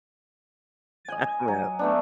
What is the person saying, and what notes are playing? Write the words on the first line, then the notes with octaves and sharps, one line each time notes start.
I don't know.
D#5 G#5
F#3
A3 B3 D4